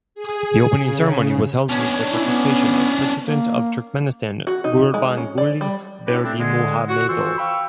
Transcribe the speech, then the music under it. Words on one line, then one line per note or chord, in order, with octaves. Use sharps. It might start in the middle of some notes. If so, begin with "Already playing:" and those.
The opening ceremony was held with the participation of President of Turkmenistan Gurbanguly Berdimuhamedov.
G#4
C#3
B3 C#4 D4
E4
B3
A#3
F#4
D#4
G#3
C#4
D5
G3
C#4 D4 E4 F#4 G4 B4
A3 C4 D4
D3 G#3
F#4
F2 E3 F4 C5 C#6 E6
F5 G5 B5 C#6 E6